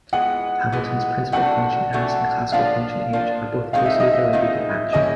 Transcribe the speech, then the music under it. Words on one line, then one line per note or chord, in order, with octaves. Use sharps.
Hamilton's principal function "S" and classical function "H" are both closely related to action.
E3 G#3 B3 F#5
E3 G#3 B3
C3 E3 A3 D4 F#4 F#5
C3 E3 A3 D4 F#4
F3 A#3 D4 F4 F5
F3 A#3 D4 F4
D#3 G#3 C4 D#4 F5
E5
D#5
E5
D#3 G#3 C4 D#4
G3 A#3 C#4 E4 G#4 D#5